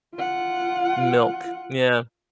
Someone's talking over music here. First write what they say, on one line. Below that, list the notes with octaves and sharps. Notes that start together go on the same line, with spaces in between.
Milk, yeah.
F4 F#5